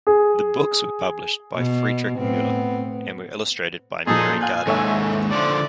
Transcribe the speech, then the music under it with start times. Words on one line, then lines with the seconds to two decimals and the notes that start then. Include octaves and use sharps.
The books were published by Frederick Muller and were illustrated by Mary Gardiner.
0.07 G#4
1.55 B2
2.16 A2 B3 C4
4.07 A#2 F3 D#4 G#4 A4
4.41 F5 G#5 F#6 G6
4.67 D#2 G#2 A4 C#5 E5
5.31 D3 F3 D5